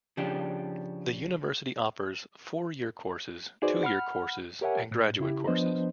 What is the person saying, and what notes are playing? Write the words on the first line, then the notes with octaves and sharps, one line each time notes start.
The university offers Four-Year Courses, Two-Year Courses, and Graduate Courses.
C#3 F3 D4 G4
D#4 F#4 G#4 B4 C5 D5
F#5 B5 F6
G4 A#4 C#5 E5 F#5 G#5
A2
C#3 E4 G4
F3 B3 D4 B4 C5 D#5